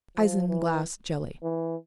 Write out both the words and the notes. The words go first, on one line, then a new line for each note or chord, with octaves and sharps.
Isinglass Jelly.
F3
E3
E3